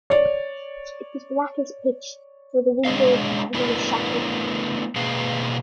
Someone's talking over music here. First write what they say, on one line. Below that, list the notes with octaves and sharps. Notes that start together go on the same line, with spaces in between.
It was black as pitch, for the windows were heavily shuttered.
C#5 D5
G#3 D4 G#4 C#5 D#5 F5
A3 B3 D4 E4 A#4 B4
B2 A#3 G#4 B4 F5